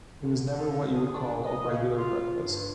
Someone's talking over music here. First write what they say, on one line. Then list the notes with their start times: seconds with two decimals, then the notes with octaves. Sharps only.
He never has what you would call a regular breakfast.
0.21 D3
0.50 D3
0.94 G#4
1.14 D4
1.44 D#5
1.67 C#3
1.97 F4
2.45 G2